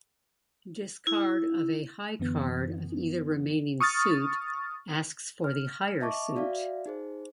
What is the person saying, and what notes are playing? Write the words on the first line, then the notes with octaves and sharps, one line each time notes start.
Discard of a high card of either remaining suit, asks for the higher suit.
E4
F#2 D3 E3 B3
C#6 D#6 F6 A6
F6
D#5 E5 A5 C#6 D6
F#4 D5 E5 F5
D#4 G#4 C5